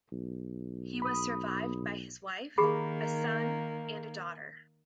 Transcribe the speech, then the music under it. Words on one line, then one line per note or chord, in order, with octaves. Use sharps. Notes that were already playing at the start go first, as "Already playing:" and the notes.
He was survived by his wife, a son and a daughter.
B1
B5 D#6
D#3 A#3 G4 G#4 B5